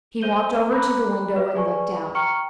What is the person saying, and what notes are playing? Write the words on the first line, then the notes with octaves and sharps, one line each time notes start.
He walked over to the window and looked out.
C5 E5 G6 D#7 G7
A#5 B5 D6 F#6
F#4 B4 E5
G#4 B4 D5 G#5 C#6
G5 A#5 C#6 F6 C#7